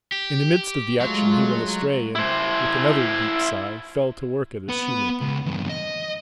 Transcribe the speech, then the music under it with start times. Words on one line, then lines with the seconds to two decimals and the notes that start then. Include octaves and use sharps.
In the midst of the action he went astray, and, with another deep sigh, fell to work at his shoemaking.
0.12 G4
1.01 F#3 G#3 A3 F4
2.15 E4 C5
4.69 B3 B4
5.21 C#2
5.46 E2 G2
5.69 D#5